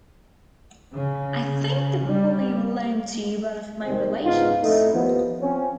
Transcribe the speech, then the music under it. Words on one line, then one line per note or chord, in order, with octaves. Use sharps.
I think the ball may belong to one of my relations.
C#3
G3
D#2 C3 D#3 G3 C4
C#2 G#2 B3 D#4 F4
F2 A3 D#4 E4
D#2 F3 B3
F3 C4 C#4